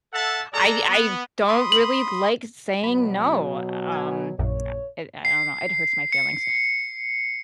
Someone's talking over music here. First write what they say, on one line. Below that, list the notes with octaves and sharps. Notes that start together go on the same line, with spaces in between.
I I don't really like saying no, um, uh, it I don't know, it hurts my feelings,
A4 E5 F#5 A5
G#3 A4 D5 A#5
B3
B5 C6 D#6
F#7
B2 F#3 B5
G#5
A#1 F#2 A#2 C#5
C7
C#7